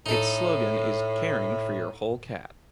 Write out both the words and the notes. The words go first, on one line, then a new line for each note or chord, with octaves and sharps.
Its slogan is "Caring For Your Whole Cat".
A2 D#4 A4